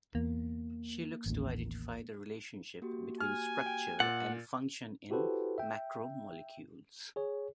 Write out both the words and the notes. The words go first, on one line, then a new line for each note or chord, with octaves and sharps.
She looks to identify the relationship between structure and function in macromolecules.
E2 A#3
A1 D#2
A#3 F#4 G4
G#5 F6
G5
A#2 F#5 A6
E4 F#4 G4 A4 B4 C5
E5 G5
G#4 C#5